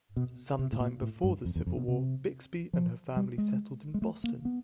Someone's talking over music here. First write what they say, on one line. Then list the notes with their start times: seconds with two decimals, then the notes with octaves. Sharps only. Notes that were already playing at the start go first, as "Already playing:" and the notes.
Some time before the Civil War, Bixby and her family settled in Boston.
0.16 B2
0.59 C3
0.72 A2
0.80 A#2
1.02 A2
1.24 G2
1.45 F2
1.56 E2
1.66 F2
1.77 B2
1.88 C3
2.73 F3
3.16 G3
3.38 G#3
3.94 G#3
4.02 A3
4.24 A#3
4.45 B3